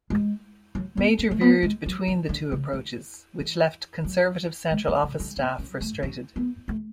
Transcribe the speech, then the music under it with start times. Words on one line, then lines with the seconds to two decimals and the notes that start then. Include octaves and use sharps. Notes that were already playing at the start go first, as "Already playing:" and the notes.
Major veered between the two approaches, which left Conservative Central Office staff frustrated.
0.10 G#3
0.75 F#3
0.97 B3
1.19 C#4
1.31 A3
1.41 B3
1.63 G#3
1.86 F#3
2.08 E3
2.29 D3
2.52 C#3
2.73 D3
3.40 E3
4.04 F#3
4.71 G#3
4.88 E3
5.03 C#3
5.20 D3
5.37 B3
5.58 C#4
5.81 A3
6.03 C#4
6.36 B3
6.68 A3